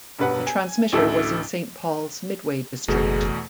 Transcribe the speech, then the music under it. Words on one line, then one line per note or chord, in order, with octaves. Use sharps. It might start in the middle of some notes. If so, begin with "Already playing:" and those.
The transmitter was in Saint Paul's Midway district.
E1 G2 B4 F#5
G#5
A1 D2 E4 A4 E6
F#1 E2 B2 A3 G#4